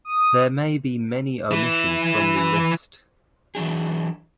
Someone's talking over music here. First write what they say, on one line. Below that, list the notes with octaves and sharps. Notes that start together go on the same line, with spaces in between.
There may be many omissions from the list.
D#6
E3 E4
E3 F#3 D4 G#4